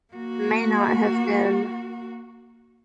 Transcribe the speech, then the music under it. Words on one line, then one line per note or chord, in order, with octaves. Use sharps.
may not have been
A#3 F#4